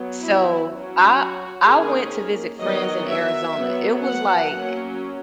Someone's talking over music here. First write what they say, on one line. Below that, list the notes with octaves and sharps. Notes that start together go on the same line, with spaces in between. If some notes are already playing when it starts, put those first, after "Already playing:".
So, I I went to visit friends in Arizona, it was, like
Already playing: F#3 B3
E4
F#3 C#4
F#4
D#3 A#3 C#4 G#4
D#3 F#3 B3 D#5
E5
F#3 B3
F#5
F#3 A#3 C#4